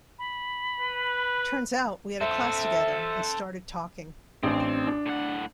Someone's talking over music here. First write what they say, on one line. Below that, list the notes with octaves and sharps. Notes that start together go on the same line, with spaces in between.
Turns out we had a class together and started talking.
B5
B4
A4 C5 E5
A1 C4 D4
D4
A2 F#5